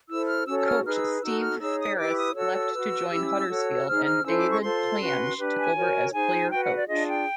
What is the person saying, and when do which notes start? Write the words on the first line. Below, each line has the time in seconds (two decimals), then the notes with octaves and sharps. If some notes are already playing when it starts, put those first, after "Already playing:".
Coach Steve Ferres left to join Huddersfield and David Plange took over as player-coach.
0.09 E4 A4 C5 E6
0.28 F6
0.46 C#4 F#4 A4 C#5 E6
0.59 E6
0.65 F6
0.84 D#4 G#4 B4 F6
0.96 E6
1.21 D#4 F#4 A4 E6
1.40 F6
1.59 D#4 G#4 C#5 E6
1.79 D#6
1.97 E4 G4 B4 D6
2.16 D#6
2.34 F#4 A4 C#5 E6
2.72 F#4 B4
3.10 C#4 E4 G4
3.49 F#4 A4 C#5
3.86 D#4 G#4 C5 F6
4.05 F6
4.23 C#4 E4 A4 C5 E6
4.36 D6
4.49 C#6
4.62 F4 A4 C5 C6
4.99 C#4 F#4 B4
5.37 D4 G4 B4
5.56 G#5
5.75 F#4 A#4 C#5
6.12 D#4 G#4 C5 G#5
6.50 F#4 B4 G5
6.63 F#5
6.75 D5
6.88 D4 F4 G#4 D#5
7.07 G5